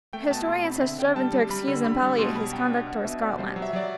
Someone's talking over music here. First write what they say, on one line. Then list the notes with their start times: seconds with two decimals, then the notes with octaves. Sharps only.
Historians have striven to excuse and palliate his conduct toward Scotland.
0.13 A3 G5
0.31 B2 A5
0.47 A3 C6
0.64 C4 B5
0.81 D3 E5
0.98 D3 G5
1.16 G3 A5
1.33 G3
1.50 G3 B5
1.68 D3
1.84 D3 B5
2.02 G3
2.18 B2 C6
2.36 F#3 B5
2.52 F#3 G5
2.70 D4 F#5
2.87 B2 F#5
3.04 B2 E5
3.21 B2 D5
3.38 G3 C5
3.56 F#3
3.62 E5
3.73 F#3 D5